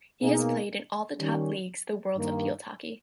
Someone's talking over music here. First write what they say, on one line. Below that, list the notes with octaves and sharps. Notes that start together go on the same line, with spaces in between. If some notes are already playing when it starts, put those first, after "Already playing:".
He has played in all the top leagues the world of field hockey.
B2 A#3 D#4 G#4
D#3 G3 C#4
G2 D#3 A#3